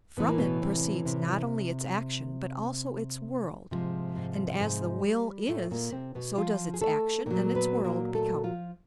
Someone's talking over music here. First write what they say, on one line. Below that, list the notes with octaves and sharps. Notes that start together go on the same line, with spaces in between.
From it proceeds not only its action, but also its world; and as the will is, so does its action and its world become.
A2 E3 B3
A#3
B2 B3
C3 C4
C3 C4
G#2 C3 F3 G#3
G#2 G#3
G#2 G#3
G3
A2 A3
A#2 A#3
C3 C4
B2 B3
F3 F4
G#4
A3 A4
A#2 F#3 A#3 A#4
B3 B4
A#3 A#4
A3 A4
F3 F4